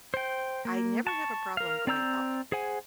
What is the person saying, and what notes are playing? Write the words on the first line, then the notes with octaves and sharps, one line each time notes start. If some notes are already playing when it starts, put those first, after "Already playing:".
I never have a problem going up.
C5 G5
A#3
A5 C#6
A#4 F5
C4 D5 A#5 E6 G6
G#4 C5 F#5 G#5